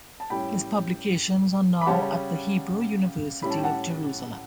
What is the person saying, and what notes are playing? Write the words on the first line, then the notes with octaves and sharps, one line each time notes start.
His publications are now at the Hebrew University of Jerusalem.
A5
A2 G3 C#4 G5 B5
B5
C#3 G3 C#4 F#5 A5
A2 G3 C#4 B5
A5
G5
F#5 A5